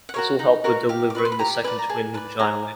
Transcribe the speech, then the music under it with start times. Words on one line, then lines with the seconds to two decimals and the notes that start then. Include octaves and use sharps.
This will help with delivering the second twin vaginally.
0.09 F#5
0.14 F#4 A#4 C#5 F5
0.39 D#4 F#5
0.64 F#4 A#4 C#5 F5
0.89 G4 F5
1.10 D6
1.15 B4 D5 C#6
1.25 C6
1.32 B5
1.39 G4 A#5
1.64 B4 G#5
1.67 D5
1.78 A#5
1.89 G#4 A5
2.14 B4 D5 A5
2.39 G#4 A#5